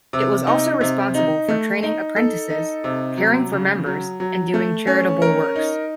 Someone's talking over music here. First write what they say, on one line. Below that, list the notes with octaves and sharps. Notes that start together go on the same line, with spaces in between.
It was also responsible for training apprentices, caring for members and doing charitable works.
C3
D#4
C3
D#4
A3
D#4
A4
D#4
C3
F#3
C#3
F#3
F#3
A3
C#4
A#4
D#4